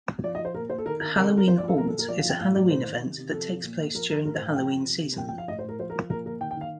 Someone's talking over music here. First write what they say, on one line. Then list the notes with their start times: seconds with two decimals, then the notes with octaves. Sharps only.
Halloween Haunt is a Halloween event that takes place during the Halloween season.
0.24 F3 D5
0.35 D#5
0.39 F3
0.45 C5
0.55 A#2 A#4
0.70 A#2 C5
0.78 A4
0.85 D#3 A#4
1.00 D#3 A#4
1.16 C3 A#4
1.26 A4
1.32 C3
1.37 A#4
1.47 F3 C5
1.58 D5
1.63 F3
1.68 A4
1.78 A#2 A#4
1.88 A4
1.93 A#2
1.99 A#4
2.08 F3 D5
2.19 F5
2.25 F3 G5
2.40 A2 F5
2.55 A2 D5
2.70 D#3 C5
2.87 D#3
3.02 C3
3.17 C3
3.32 F3 A4
3.49 F3
3.63 A#2
3.79 A#2
3.95 F3 A#4
4.10 F3 A#4
4.25 A2 A#4
4.35 C5
4.41 A2
4.46 F5
4.56 F3 G5
4.72 F3
4.86 C3
5.03 C3
5.17 F3 G5
5.28 G5
5.33 F3
5.38 F5
5.48 A2 D#5
5.59 C5
5.64 A2 A#4
5.80 F3 C5
5.90 A#4
5.95 F3
6.10 A#2 A#4
6.26 A#2 A#4
6.41 D#3 G5
6.51 G5
6.57 D#3 F5